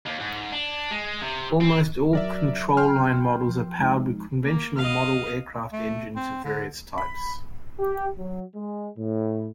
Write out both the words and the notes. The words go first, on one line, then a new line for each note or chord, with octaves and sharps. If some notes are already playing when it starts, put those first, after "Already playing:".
Almost all control-line models are powered with conventional model aircraft engines of various types.
D#2
G#2
D4
G#3
C3
C4
F#3 A#4 D5 E5
G5 C6 F6
F3
G#3 D#4
A#3
D#5 F5
A3
C4
D3
B5
G4
F#3
G#3
A2